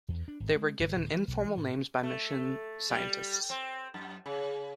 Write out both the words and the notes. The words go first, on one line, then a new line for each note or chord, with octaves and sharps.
They were given informal names by mission scientists.
E2
D4
G#1
G#3
G1
D1
E3
B1
E3
A2
A3
G3
C4
F#2
C#3